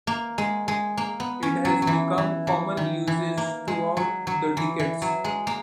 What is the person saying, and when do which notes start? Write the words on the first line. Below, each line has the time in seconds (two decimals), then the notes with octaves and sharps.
It has become common usage throughout the decades.
0.07 A#3
0.38 G#3
0.68 G#3
0.98 A#3
1.20 B3
1.43 C#4
1.65 F#3
1.82 F#3
1.87 E3
2.18 E3
2.47 E3
2.77 D#3
3.08 E3
3.38 A#3
3.68 G#3
3.97 F#3
4.27 F#3
4.57 E3
4.79 E3
5.02 F#3
5.24 G#3
5.47 A#3